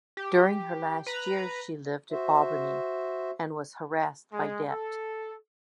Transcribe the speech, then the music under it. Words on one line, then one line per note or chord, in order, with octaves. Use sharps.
During her last years she lived at Aubigny, and was harassed by debt.
G4
B4 A#5 B5
F#4 C5 E5
G#3
A4